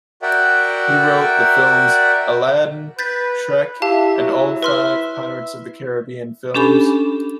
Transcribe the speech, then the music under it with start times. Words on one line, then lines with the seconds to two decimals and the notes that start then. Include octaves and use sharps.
He wrote the films "Aladdin", "Shrek", and all five "Pirates of the Caribbean" films.
0.22 F#4 A#4 D5 E5 F#5 G5
2.99 B4 G6 A6 B6
3.82 E4 G4 E5 F5 A5
4.17 F#3
4.63 B4 E5 C6 F6
6.54 C#4 D4 G4 A4 G#5 B5